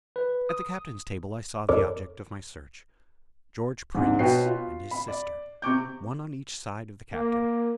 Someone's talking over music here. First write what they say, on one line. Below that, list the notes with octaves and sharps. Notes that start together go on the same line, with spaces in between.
At the Captain's table I saw the objects of my search: George Prince and his sister, one on each side of the Captain.
B4
D#6
F2 A4 A#4 C#5 D5 D6
A#1 G#2 C3
B2 F#4 B4 C#5 G5 C7
F4
B5
D5
C3 C#6 D6 G6
A#3